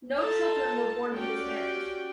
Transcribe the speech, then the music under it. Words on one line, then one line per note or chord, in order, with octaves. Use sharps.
No children were born to this marriage.
D#4 F4 A4 A5
C#4 F#4 G4 D5 G5